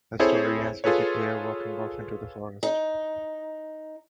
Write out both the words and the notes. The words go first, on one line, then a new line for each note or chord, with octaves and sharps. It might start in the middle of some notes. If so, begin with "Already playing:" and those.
The story ends with the pair walking off into the forest.
C4 E4 G#4 A4 C5 C#5
F4 G#4 A4 B4 C#5
D#4